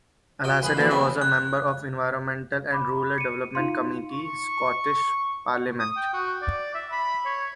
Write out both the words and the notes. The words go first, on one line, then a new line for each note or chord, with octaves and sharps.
Alasdair was a member of the Environment and Rural Development Committee Scottish Parliament.
F#4 D#5 G5
A1 G#4 B4 C5 B5
C3 E3 F3 A#3 E4 F#4 C5 E5
G3 G#3 C4 D4 D#5 E5
F#6
B5 D6
C#7 D#7
D#4 F4 F5 C6
C#6
D#6
G5
F#4
D5
E5
B5
C#5